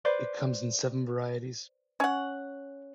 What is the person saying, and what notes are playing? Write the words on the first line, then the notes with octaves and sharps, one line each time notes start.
It comes in seven varieties.
B4 C5 D5
C#4 F#5